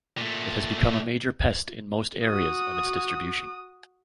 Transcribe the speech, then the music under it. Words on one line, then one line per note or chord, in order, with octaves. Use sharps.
It has become a major pest in most areas of its distribution.
A#2 A3
F#4 D#6